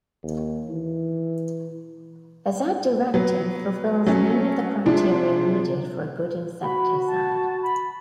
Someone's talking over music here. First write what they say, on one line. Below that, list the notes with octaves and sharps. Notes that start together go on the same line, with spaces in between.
Azadirachtin fulfills many of the criteria needed for a good insecticide.
D#2
E3
F#3 B3
F#3 A3 C#4
C3 F3 G#3 D4
F#4 B5
A5
B5